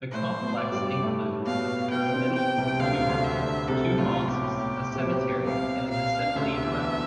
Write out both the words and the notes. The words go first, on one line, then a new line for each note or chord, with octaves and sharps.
The complex includes the pyramidal tomb, two mosques, a cemetery and an assembly ground.
A2 A3 C5
B2 B3
D5
G2 G3
A2 A3
B2 B3 F5
B2 B3 G5
C3 C4
G5
C2 C3
D2 D3 F5
D2 D3
E5
D2 D3
C2 C3 A4
A2 F4
B2 G4
A2
C3
B2
C2 C3 F5
F5
D2 D3 E5
E2 E3